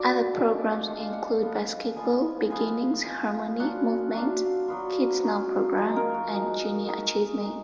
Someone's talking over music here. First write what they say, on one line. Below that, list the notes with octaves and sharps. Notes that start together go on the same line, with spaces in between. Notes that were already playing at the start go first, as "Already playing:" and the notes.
Other programs include Basketball Beginnings, Harmony Movement, Kids Now Program, and Junior Achievement.
Already playing: F#3 D4 F4 D5
G#3 D4 F4
G#3 D4 F4 F#5
F5
F#5
F3 B3 F4
F3 B3 F4 G#5
F3 B3 F4 G#5
F3 B3 F4 G#5
F#3 D4 F4 F#5
F#3 D4 F4 F5
F#3 B3 F4
F#3 B3 F4
F3 G#3 D#4
A#4
F#4
F3 G#3 D#4
G#3 D#4
G#3 D#4